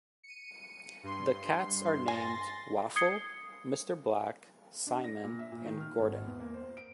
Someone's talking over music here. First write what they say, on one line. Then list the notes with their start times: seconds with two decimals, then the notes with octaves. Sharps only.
The cats are named Waffle, Mr. Black, Simon, and Gordon.
0.23 C#7 D#7
1.03 G2 C6
2.08 G#5 C6 A6 A#6
2.96 D#6 G#6 C7 C#7 G7
4.87 D4
5.04 A#6
5.24 A#2
5.39 E5
5.52 A#2
5.66 D#3
5.80 F6
6.00 G#1
6.26 E2
6.40 A#3
6.54 C5
6.77 D7